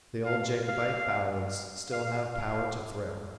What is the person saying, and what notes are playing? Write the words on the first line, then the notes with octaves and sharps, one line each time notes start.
The old Jacobite ballads still have power to thrill.
F5
F5
F5
F5